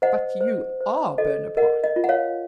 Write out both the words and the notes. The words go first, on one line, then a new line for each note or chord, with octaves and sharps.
But you are Bonaparte.
C5 D#5 F#5
C5
C5
A4 D#5
A#4 D#5 F#5
D#5
F4
F#5
C#5 F5